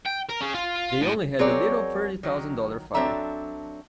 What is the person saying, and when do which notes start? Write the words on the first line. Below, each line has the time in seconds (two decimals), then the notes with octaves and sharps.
They only had a little thirty thousand dollar fire.
0.06 G5
0.30 A#4
0.41 C#4 G#4
0.55 F4
1.01 A2
1.39 F#3 C4 G#4 A#4 C#5 D5
2.23 D#3 F#3
2.94 F#3 C4 D4 A4 E5 A#5